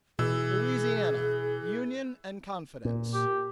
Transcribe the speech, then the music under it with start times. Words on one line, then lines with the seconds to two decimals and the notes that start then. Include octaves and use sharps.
Louisiana--Union and Confidence.
0.19 B2 E3 G#4 E6
2.85 A#2
3.14 G4